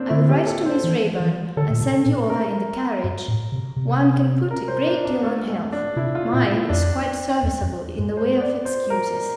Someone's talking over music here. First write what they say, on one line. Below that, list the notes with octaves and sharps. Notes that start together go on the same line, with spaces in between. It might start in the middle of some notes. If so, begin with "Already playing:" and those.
I will write to Miss Raeburn and send you over in the carriage. One can put a great deal on health--mine is quite serviceable in the way of excuses.
Already playing: A#3 C4 D4
D3 E4
G4
A4
C5
E3
E3
D3 A4
A#2
C3
A#2
A#4
G2
A2
C3
C3
A#4
C5
D4
D4
A3
A3
D4
C3 E4
F4
A#2 E4
E4
F2 D4
E2
F2
G2
C5
D5
C5
A#4